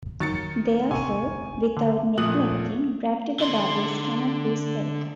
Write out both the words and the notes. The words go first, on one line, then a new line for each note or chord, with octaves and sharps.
Therefore, without neglecting gravity the bubbles cannot be spherical.
D#3 F#3 A6 C#7
C3 G#5 C#6 D#7
D3
A#2 F3 A3 F#4 D#6 F#6 F#7
D3 C6